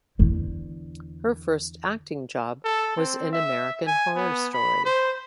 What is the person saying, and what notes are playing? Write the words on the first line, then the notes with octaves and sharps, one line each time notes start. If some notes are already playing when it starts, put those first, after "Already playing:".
Her first acting job was in "American Horror Story".
E2 D3
A4
C4
E5
G#5
B3
B5
C5